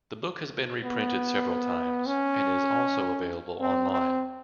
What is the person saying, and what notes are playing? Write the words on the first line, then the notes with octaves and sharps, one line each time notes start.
The book has been reprinted several times, and is also available online.
B3
C#4
C4
C4